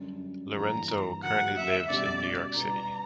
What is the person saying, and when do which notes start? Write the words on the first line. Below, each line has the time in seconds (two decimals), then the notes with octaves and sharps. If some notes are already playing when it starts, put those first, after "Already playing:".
Lorenzo currently lives in New York City.
Already playing: F#2 D3 G3 C#4
0.55 G2 E3 A#3 E4 A#5
1.23 D3 F#3 A#3 D4 F#4 F#5
1.57 E5
1.89 B2 G3 C#4 G4 D5
2.56 B2 G3 B3 A#5